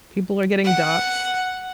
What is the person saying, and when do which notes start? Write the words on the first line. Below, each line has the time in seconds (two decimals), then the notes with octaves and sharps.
People are getting doxxed.
0.65 F#5